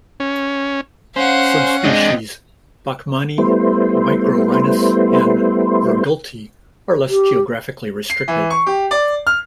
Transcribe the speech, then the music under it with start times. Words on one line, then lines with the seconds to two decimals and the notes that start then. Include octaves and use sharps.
Subspecies "bachmani", "macrorhinus" and "virgulti" are less geographically restricted.
0.20 C#4
1.16 C#4 C5 F5 F#5
1.85 G#3 C4 D4 D#5
3.38 G3 A3 B3 E4 C5
7.09 G4
8.10 C7
8.28 E3
8.50 C#6
8.67 G4
8.91 D5
9.27 F6